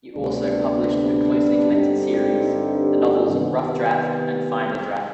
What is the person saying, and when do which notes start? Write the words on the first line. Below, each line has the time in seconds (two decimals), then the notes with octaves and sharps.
He also published a closely connected series, the novels "Rough Draft" and "Final Draft".
0.13 D2 C3 G3 B3 D4
1.71 G2 D3 G3 C4 D#4
3.28 C3 D#3 G3 B3